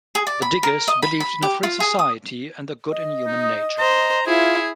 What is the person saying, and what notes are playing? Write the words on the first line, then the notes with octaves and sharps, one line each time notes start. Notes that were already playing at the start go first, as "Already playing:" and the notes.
The Diggers believed in a free society and the good in human nature.
G#4
D5
B5
A#4
D#5
B5
B5
G4
F4
G#4
D#6
D#5
D#4
C5 A#5
E4 F4 G#4